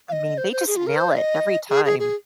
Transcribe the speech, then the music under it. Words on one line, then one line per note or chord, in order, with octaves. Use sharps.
I mean, they just nail it every time.
F5
D#5
C5
C5
G#4
F4
A#4
C5
F5
D#5
G#4
G#4
G#4